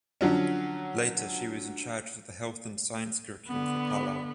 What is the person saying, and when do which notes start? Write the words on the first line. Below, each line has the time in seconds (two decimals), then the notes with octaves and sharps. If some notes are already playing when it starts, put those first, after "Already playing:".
Later she was in charge of the Health and Science Curriculum for Palau.
0.21 D3 F3 F#3 C#4
3.48 D3 B3